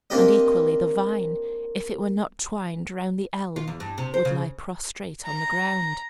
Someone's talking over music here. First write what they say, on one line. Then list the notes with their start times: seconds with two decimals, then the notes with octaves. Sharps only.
And equally the vine, if it were not twined round the elm, would lie prostrate on the ground.
0.10 A#3 C4 D4 G4 D#5
3.56 F4
3.68 E2
3.80 G2
3.98 C3
4.14 C5
4.25 C#3
5.26 A#5